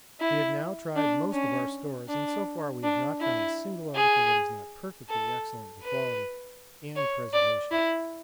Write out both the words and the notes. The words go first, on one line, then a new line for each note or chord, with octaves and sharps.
'We have now tried most of our stores, and so far we have not found a single article that is not perfectly excellent in quality and preservation.
E4
D4
C#4
D4
D4
E4
G#4
A4
B4
C#5
D5
E4